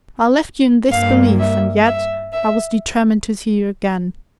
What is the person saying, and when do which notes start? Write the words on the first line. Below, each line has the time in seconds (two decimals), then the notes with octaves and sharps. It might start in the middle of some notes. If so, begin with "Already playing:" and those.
I left you in this belief; and yet, I was determined to see you again.
0.91 G2 G3 A#3 F5
1.39 E5
1.85 E5
2.33 E5